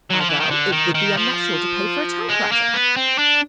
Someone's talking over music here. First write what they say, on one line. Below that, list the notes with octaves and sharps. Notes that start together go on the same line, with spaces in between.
Argal, it would be unnatural to pay for a typewriter.
F#3
F3
E3
D#3
D3
D#3
D#3
F3
G#3
A#3
B3
C4
D4